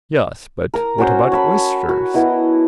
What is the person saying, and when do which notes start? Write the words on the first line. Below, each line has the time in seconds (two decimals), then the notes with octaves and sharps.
Yes but what about oysters.
0.74 A#4 A#5
0.98 C#4 F#4 C5
1.32 C#5 A5 B5
1.89 F#4
2.14 B3 E4 D#5